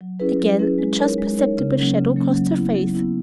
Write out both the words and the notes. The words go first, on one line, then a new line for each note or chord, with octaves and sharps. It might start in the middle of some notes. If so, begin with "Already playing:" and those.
Again a just perceptible shadow crossed her face.
F#3
C#4 E4 G#4 B4
F#3
C#4 E4 G#4 B4
G#3
D#4 A#4 C#5
G#3
D#4 A#4 C#5
C#3
F#3 A#3 C#4
C#3
F#3 A#3 C#4
F#3
B3 E4
F#3
B3 E4